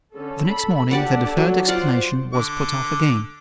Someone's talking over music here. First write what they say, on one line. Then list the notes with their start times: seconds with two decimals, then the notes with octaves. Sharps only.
The next morning the deferred explanation was put off again.
0.14 D3 C#4 A4
0.46 A4 B5
0.91 D4 G4 A4 D5 F#5
1.37 F#3
1.68 F4 C5 D5 F#5
2.33 D3 D6